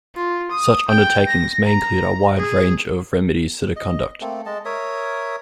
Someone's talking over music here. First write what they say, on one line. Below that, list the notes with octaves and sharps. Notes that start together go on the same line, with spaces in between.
Such undertakings may include a wide range of remedies to the conduct.
F4
D#6
G5
A#6
A#5
G#4
D#5
A3 A#3 C4 A4
G#3 D#5 A5
A#4 C#5 E5 D#6